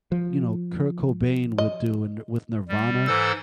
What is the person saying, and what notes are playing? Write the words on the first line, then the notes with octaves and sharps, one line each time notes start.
you know, Kurt Cobain would do in with Nirvana,
F3
D#5
G3
G#2 E3 A4 C5 E6 A6